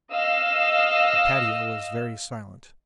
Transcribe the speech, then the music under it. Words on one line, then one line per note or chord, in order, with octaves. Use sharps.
The patio was very silent.
D#5 F5 E6